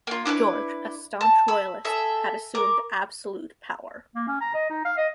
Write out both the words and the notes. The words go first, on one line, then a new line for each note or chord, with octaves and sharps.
George, a staunch royalist, had assumed absolute power.
A#3 F4
D4 E4 A4 B4
A5
B5 E6
G#4 A4 E5
A#4 D6
A#3
C#4
A#5
D#5
D#4
F5
D#5